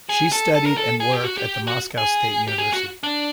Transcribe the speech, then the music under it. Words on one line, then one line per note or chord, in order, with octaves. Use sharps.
She studied and worked at the Moscow State University.
G#4
A4
A4
A#4
A4
G#4
G4
F#4
G4
F#4
G#4
G4
G#4
F#4
D4